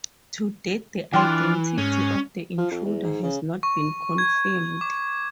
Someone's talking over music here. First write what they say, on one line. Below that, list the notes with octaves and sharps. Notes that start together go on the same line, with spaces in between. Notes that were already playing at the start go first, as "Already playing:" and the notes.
To date the identity of the intruder has not been confirmed.
E3 D4 F4 G5 C6
G#2 C#4
F3
F2
E2
G#2
C#3
C#6
G#6
D6